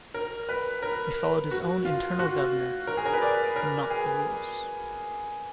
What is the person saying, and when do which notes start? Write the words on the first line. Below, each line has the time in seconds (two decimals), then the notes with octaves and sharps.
He followed his own internal governor not the rules.
0.14 A#4
0.49 B4
0.82 A#4
1.51 F#4
1.85 F4
2.19 F#4
2.87 A#4
2.97 G#4
3.06 A#4
3.13 B4
3.22 D5
3.56 A#4
3.90 G#4